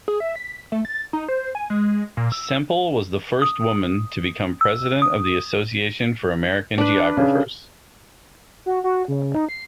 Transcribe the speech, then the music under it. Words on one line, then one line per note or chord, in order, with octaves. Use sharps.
Semple was the first woman to become president of the Association for American Geographers.
G#4
E5
B6
A3
A6
D#4
C5
G#5
G#3
A#2
E6
D#6
E6
D#6
D4 B4
C#3
F#4
F#4
C#3
D#4
C7